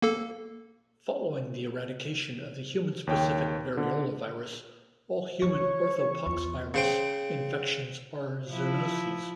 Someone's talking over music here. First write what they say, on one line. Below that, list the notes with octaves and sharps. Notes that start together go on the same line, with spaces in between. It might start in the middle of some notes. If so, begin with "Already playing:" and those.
Following the eradication of the human-specific variola virus, all human Orthopoxvirus infections are zoonoses.
A#3 A4
D#2 C#5 G5
D3
E3 C#5 C#6
E2 F4
C#3 C5 G5
F3 E4